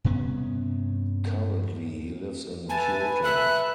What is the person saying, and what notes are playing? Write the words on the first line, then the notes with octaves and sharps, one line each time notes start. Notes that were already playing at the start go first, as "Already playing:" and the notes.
Currently he lives in Kyoto.
G2 C3 B3 C#4
B4 E5 G#5 A5
E5 F#6